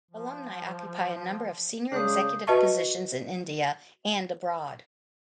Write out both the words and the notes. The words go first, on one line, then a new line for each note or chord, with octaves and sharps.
Alumni occupy a number of senior executive positions in India and abroad.
F3
C#3 G#3 D4 D#6 G6 C7
F#4 B4 D#5 E5 A5 C#6